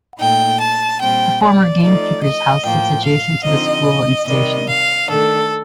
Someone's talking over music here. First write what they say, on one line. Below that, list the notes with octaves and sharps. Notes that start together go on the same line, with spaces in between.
The former gamekeeper's house sits adjacent to the school and station.
A#2 A3 D#4 G5
A5
A#2 G3 C4 G5
D5
F3 A3 D#4 D5
D#5
A2 F3 A#3 G5
F5
D3 F3 C4 D#4 D#5
C3 D#3 G3 D#5
F5
D#3 A3 D4 A4